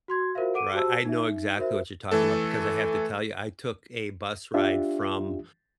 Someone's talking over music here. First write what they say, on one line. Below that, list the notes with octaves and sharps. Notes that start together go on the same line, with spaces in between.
Right, I know exactly what you're talking about, because I have to tell ya, I took a bus ride from
F#4 C6 G#6
F4 F#4 A#4 C5 E5 F5
A4 F#5 D6 D7 D#7
F#4 G4 C5 A5 E6
D#4 E5
F#4 A#4 C5 E5
E3 A3 A4
D4 F4 G4 E5